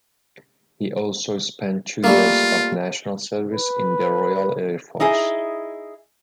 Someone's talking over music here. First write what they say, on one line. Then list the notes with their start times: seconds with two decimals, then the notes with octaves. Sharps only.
He also spent two years of National Service in the Royal Air Force.
2.04 G3 A3 A#3 F4
3.54 B4
5.00 D#4 E4 G#4 D#5